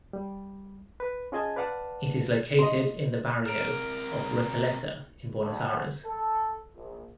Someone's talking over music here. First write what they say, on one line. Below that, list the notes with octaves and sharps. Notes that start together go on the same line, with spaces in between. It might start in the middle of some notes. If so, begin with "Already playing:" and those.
It is located in the barrio of Recoleta in Buenos Aires.
G3
B4
C#4 F4 G#4 D#5 A5 G#6
B4 D5 F5 F#5 A5
D#5 C6
C3 A#4 F6 D7
D2
A4
A#1